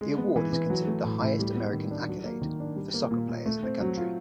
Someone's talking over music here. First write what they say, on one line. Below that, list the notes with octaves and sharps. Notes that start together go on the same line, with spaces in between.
The award is considered the highest American accolade for soccer players in the country.
G#3
B3
E3
E3
F#3
A3
A2
A2
G3
B3
D#3
D4
F#3
A#3
D#3
D4
G3
A#3
A#2
A#2
A3
C4
F#3
F4